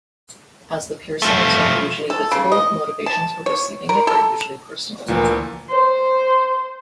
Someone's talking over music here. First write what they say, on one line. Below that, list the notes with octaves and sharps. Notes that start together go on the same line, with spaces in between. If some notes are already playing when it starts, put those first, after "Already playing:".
As the piercing is not usually visible, motivations for receiving it are usually personal.
F3 A3
A4
C#3
D#5
A5
C#5
A#4
A4
D2 A#2 E3 F3
C5